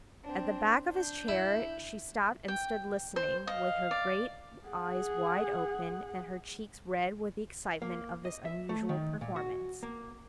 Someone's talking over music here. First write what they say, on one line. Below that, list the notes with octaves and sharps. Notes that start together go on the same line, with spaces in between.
At the back of his chair she stopped and stood listening, with her great eyes wide open and her cheeks red with excitement of this unusual performance.
C4 D4
D4 G6
E4
G5
C5
D#5 F5
D5
G#4 F#5
A#3
D#5
E5
A3
D#3
A#2
F#4
A#3